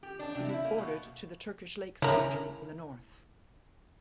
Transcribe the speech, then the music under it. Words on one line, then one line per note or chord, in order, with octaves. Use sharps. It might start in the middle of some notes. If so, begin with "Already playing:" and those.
It is bordered to the Turkish Lakes Region in the north.
G4
D4
C3
E4
A#3
B2
C#3 E4 A#4